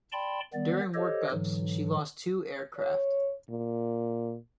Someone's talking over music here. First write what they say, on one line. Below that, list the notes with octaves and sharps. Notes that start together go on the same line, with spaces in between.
During workups she lost two aircraft.
D5 G5 A5 B5 C6
D#3 G3 B3 D5
G4 A4 C5 C#5 D#5
G#2 D3 E3 F#3
C#5
A#2